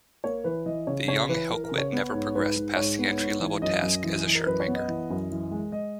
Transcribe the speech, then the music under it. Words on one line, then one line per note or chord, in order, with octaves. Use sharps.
The young Hillquit never progressed past that entry-level task as a shirtmaker.
A#3 C#5
E3 B4
E3 D#5
C#3 C#5
C#3 C#5
E3 B4
E3 A#4
A#4
C#3
C#5
B3
G#2
G#2 B4
G#2
G#2 C#5
B3
G#2
E3
F#2 D#5
F#2
E3
E3
A#4
F#2 B4
C#5
B3
D#5
E3
F#2
E3
G#3
G#3 D#5